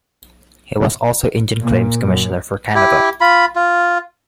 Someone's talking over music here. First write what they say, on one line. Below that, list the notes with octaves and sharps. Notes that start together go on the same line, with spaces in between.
He was also Indian Claims Commissioner for Canada.
A#2
F#2
E4 G4
F4 B5
F4